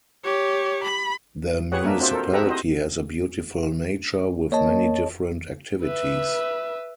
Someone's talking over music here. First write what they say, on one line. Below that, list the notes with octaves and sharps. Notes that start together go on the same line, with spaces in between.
The municipality has a beautiful nature with many different activities.
G4 C#5
B5
G4 G#4 B4 C#5 F#5
A#3 D4 A#4 E5
C4 F4 F#4 C5 D5 E5
A4 A#4 C5
G4 A4 E5 F#5 A#5 B5
C4 E4 F#4 C5 D#5
A#3 C#5 D#5 A5
B4 E5